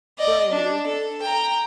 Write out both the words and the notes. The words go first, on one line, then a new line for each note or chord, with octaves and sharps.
Same here.
D5 D#5
D4
A4
G5 A#5